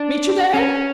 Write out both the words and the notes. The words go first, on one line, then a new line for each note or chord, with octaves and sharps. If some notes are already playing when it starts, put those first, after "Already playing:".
Meet you there?
Already playing: D4
C#4